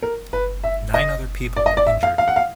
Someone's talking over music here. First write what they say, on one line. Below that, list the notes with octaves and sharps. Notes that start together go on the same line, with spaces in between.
Nine other people were injured.
A#4
B4
E5
D#5
D5
D#5
D5
E5
F5
F5
F#5
F5